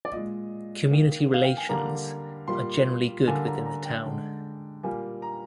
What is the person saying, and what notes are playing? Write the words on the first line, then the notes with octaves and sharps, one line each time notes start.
Community relations are generally good within the town.
D5
A#2 G#3 D#5
D#3 A#3
F5
G5
G#5
D3 G3 A#3 A#5
A#2 G3 A#3 C6
D3 G3 A#3 G#5
A#5
A#5
G5
D3 G#3
A#2 G3 A#3 G#5
A#5